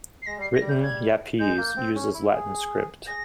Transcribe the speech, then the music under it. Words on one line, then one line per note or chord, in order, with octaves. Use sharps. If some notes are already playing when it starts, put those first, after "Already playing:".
Written Yapese uses Latin script.
C7
G#3 A#6
G3 C7
A#6
G3
G6
G#6
G#3 G6
A#3
C4
C#4
E4
G#4
G#4 A#6